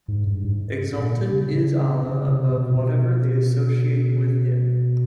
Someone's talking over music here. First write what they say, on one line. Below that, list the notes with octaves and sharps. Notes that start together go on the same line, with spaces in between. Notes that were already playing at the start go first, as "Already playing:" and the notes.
Exalted is Allah above whatever they associate with Him.
G#2
G2
G#2
A#2
C#3
C#3
C3
B2
B2